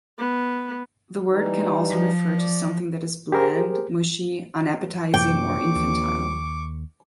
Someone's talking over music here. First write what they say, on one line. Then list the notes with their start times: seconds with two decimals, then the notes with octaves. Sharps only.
The word can also refer to something that is bland, mushy, unappetizing, or infantile.
0.19 B3
1.29 E3 G3 D#4
1.89 F3
2.37 D5
3.32 G4 G#4 A#4 C5
5.14 A#1 F#2 C3 E3 G5 C#6 D6
5.75 D#2